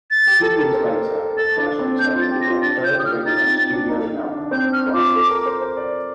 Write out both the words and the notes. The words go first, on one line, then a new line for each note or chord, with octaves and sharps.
Two years later, Price returned with her third regular studio album, "Priceless".
A6
G4
A4
A#4
C5
A#4
A4
A4 A6
D4
C4
D4 G6
F4
A6
G4
A#6
F4
D4 A6
F4
G6
G4
D#6
F6
F4
D#4 A6
C4
C4
D4
D#4
D4
D4
C4 G6
F6
F4 D6
A4
A#4
C5
C5
D5